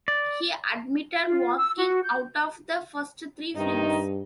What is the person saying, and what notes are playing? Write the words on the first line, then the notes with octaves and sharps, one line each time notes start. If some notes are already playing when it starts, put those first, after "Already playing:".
He admitted walking out of the first three films.
D5
F4
E6
F#4
G6
G2 C3 D#3 D#4